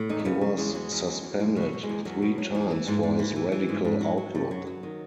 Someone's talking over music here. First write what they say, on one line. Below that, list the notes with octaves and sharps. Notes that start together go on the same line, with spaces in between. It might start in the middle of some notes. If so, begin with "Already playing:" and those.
He was suspended three times for his radical outlook.
Already playing: A2
E2 D#4
A3
C#3 B3
C#3
E2 G#3
F#3 G#3
E2
F#3
E2
E2 G#3
B2
F#3
B2
G#3
E2
E2 F#3
B2
F#3
E2
E3
G#2
G#2
E3
E3
E3
G#2
G#2
F#3
F#3
F#2
F#3
F#3
D#3